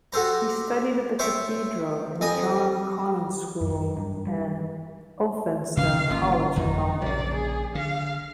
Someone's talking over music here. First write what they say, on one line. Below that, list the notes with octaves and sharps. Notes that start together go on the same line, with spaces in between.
He studied at The Cathedral and John Connon School and Elphinstone College in Bombay.
F#4 G4 A4 C5 A#5
C5 C#5 E5 G5 A5
F2 D#5 G#5
F#2
G2
G3
C#3 F3 F5
G1 A#3 C#4 F4
G1 F2 D#3 D#4
A#1 C#3 D5
G#4
D3 F5